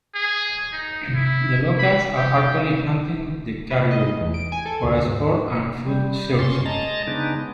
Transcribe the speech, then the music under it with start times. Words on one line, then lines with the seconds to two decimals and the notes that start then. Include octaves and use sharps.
The locals were actually hunting the caribou, for a sport and a food source.
0.15 G#4
0.72 D#4
1.15 E4
1.79 B5
2.17 G4
3.71 B4
3.91 D#5
4.21 E2
4.34 D7
4.52 G#5
4.66 A4
4.83 D2
5.06 G#2
5.86 G3
6.39 F#2 C#3 C#4 C6 A6
6.66 G#3 D#5 A5 A#5 A6
7.07 C#3 G#3 B3 D4 D#4